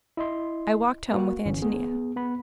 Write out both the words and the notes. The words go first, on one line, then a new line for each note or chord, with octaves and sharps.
I walked home with Antonia.
E4 D#5 C6
A#3 F#4
G1 E3 C#4
B3 G#4
B3 B5